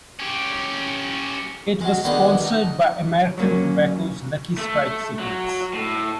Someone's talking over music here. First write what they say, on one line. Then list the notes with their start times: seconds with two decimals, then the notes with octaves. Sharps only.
It was sponsored by American Tobacco's Lucky Strike cigarettes.
0.20 C#4 G4
1.81 F#3 G#3
2.04 D3 D#3 G#3 B3 D4 D#4
2.44 D#4
3.38 F#3 A#3 C#4
4.57 A3
5.19 F#3
5.74 A2